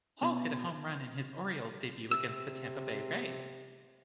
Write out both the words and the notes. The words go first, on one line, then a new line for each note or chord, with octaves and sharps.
Hall hit a home run in his Orioles debut against the Tampa Bay Rays.
B2
C3 E6